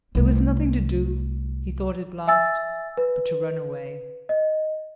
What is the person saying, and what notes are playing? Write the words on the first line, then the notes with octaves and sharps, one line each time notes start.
There was nothing to do, he thought at last, but to run away.
C2 A3
E5 G#5 E6 A6
B4
D#5